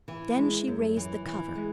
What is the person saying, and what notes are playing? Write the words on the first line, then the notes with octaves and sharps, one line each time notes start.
Then she raised the cover.
E3
G#3
F#2
E3
E3
G#3